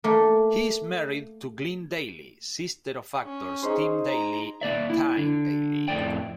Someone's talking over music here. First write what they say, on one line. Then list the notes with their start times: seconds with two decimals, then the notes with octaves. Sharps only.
He is married to Glynn Daly, sister of actors Tim Daly and Tyne Daly.
0.04 A3 A#3
3.23 C#4
3.63 D#4 G#4 C5
4.06 A#5
4.61 A#3 D5 E5
4.90 E4
5.17 D3
5.88 F2 A2 A3 D5 G5